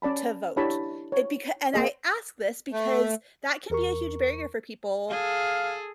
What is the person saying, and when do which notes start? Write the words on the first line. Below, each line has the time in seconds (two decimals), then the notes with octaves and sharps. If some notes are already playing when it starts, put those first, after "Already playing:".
to vote? It becau and I ask this because that can be a huge barrier for people,
0.02 C#4 D5 A5 B5
0.56 D4 E4 G4 C#5 A5 B5
1.12 C#5
1.74 A#3 G#4 D#5
2.73 A3
3.70 E2 A#4 C#6
5.11 G#4 A4 F5